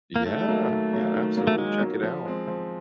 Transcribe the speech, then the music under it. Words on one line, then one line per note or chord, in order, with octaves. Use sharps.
Yeah, yeah, absolutely, check it out.
A#3
D#3 A3
F#3 A#3
D#3
F#3 A#3
D#3
F#3 A#3
A3
D#3 G#3
F#3 A#3
F3
G#3 C4
F3